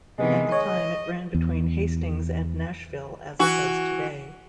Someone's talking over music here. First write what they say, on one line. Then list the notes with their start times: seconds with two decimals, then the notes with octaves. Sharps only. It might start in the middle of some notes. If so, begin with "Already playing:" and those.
At the time, it ran between Hastings and Nashville as it does today.
0.18 C3 D#3 E3 G#3 B3
0.52 C#5 D#5
1.35 E2
3.39 E3 F#4